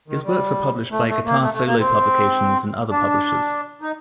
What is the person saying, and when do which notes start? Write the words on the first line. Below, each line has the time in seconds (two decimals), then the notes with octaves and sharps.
His works are published by Guitar Solo Publications and other publishers.
0.08 D#3
0.24 G3
0.91 A3
1.08 A3
1.25 A#3
1.41 A3
1.54 A3
1.66 A#3
1.79 C4
2.91 D4
3.82 D#4